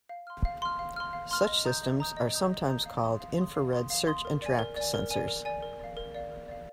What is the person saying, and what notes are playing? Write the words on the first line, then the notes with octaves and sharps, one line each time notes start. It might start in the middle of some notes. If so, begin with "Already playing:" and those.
Such systems are sometimes called infrared search and track sensors.
F5
C6 F6
F5
C6 F6
F5
C6 F6
F5
C6 F6
D#5
A#5 D#6 G6
D#5
A#5 D#6 G6
D#5
A#5 D#6 G6
D#5
A#5 D#6 G6
F5
C6 D#6
F5
C6 D#6
F5
C6 D#6
F5
C6 D#6
A#4
D5 G#5
A#4
D5 G#5
A#4
D5 G#5
A#4
D5 G#5
A#4
D5 F5
A#4
D5 F5
A#4
D5 F5